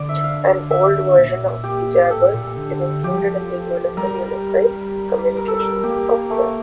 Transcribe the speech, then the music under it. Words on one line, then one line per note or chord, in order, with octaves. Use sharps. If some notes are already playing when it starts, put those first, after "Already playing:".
An old version of ejabberd is included in the Unison unified communications software.
Already playing: D3 D5
E5
F5
E5
A#2
G4
A2 A4
A#2
D3
F3 G4
G3
F3
G3 A#4
A#4
A4
A#4
A#3 G4
A3